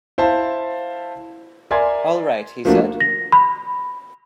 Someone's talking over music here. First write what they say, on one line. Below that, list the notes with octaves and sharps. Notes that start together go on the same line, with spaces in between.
"All right," he said.
E4 C5 F5 A5
A#4 D5 E5 G#5 C6 G#6
F3 A3 A#3 D4 F#4
A#6
B5